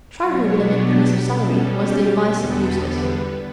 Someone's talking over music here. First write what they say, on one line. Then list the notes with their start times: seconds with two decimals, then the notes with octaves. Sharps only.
"Try her with an increase of salary," was the advice of Eustace.
0.21 B2 F#3 B3 D4 C#5
0.72 G4
1.22 B2 G3 C#4 A4
1.73 G4
2.23 E2 D3 G3 B3 A4
2.74 B4